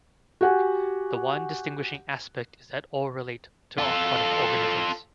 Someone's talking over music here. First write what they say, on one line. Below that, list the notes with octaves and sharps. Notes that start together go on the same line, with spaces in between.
The one distinguishing aspect is that all relate to aquatic organisms.
F#4 G4 F#5 G#5
F4 A4